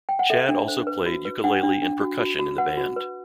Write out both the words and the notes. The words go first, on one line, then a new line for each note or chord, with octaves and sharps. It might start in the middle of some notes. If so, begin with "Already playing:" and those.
Chad also played ukulele and percussion in the band.
G5
F#5
A4 E5
D4
C5
B4
F#4
B4
D4 F#5
D4
D4
F#4
F#4
F#4
B4 F#5
F#4
B4